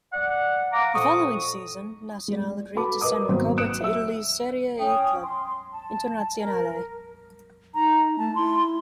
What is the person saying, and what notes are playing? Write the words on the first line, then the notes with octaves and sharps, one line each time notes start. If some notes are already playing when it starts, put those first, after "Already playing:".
The following season, Nacional agreed to send Recoba to Italy's Serie A club Internazionale.
D5 F#5
F5 F#5 A#5 D6
F2 A#2 C#6 D#6
G#3 D5
F#4 A4 B4 A5 B5 D6
A#4 B4 D#5 D6 D#6
G#1 F#3 A#3 B3 C5
D#6 F#6 C#7 D7 E7
E5 E6
C#4 G5 D#6
C6
A5
A#4
D#4 A#5
A3 A5
E4 C6